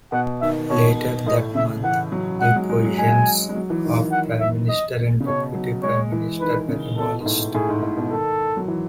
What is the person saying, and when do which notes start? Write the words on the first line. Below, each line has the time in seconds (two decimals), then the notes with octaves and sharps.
Later that month, the positions of Prime Minister and Deputy Prime Minister were abolished.
0.12 B2 F#5
0.41 D#3 E5
0.70 B2 C#5
1.26 A2 D#5
1.55 C#3 E5
1.84 E3 F#5
2.12 F#3
2.41 G#3 F#5
2.56 F#3
2.69 G#3
2.84 F#3
2.98 G#3 G#5
3.49 G#3
3.55 F#3
3.70 E3
3.84 D#3
4.12 F#5
4.40 E5
4.69 D#5
5.20 C#3
5.27 B2 C#5
5.54 F#3
5.83 G#3 C#5
6.12 E3
6.41 D#3 B4
6.68 C#3
6.97 B2 A4
7.20 G#2
7.26 A2
7.55 A2 G#4
7.69 G#2
7.82 A2
7.97 B2
8.11 D#3 A4
8.57 F#3
8.68 E3